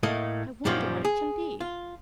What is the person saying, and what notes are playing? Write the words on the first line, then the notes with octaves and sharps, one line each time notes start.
I wonder what it can be!
A2 A3 A#3 D#5
F#2 A#2 D#3 F3 G3 C#4
G#4
F4